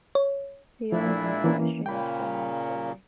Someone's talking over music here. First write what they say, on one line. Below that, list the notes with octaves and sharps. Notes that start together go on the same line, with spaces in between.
The young man in question is Phil McRory.
C#5
A#2 F3 D4 E4
E3 A#3 C#4
A#2 C#3 A#3 G5 B5